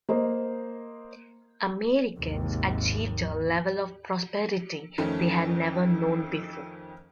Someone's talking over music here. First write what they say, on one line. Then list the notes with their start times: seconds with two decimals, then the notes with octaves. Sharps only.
Americans achieved a level of prosperity they had never known before.
0.09 A#3 C5 D#5
2.15 G#1 D#2 C3
4.98 F2 D#3 A3 C#4